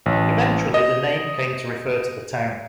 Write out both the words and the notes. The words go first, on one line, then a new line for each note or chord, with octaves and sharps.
Eventually the name came to refer to the town.
A1
D#5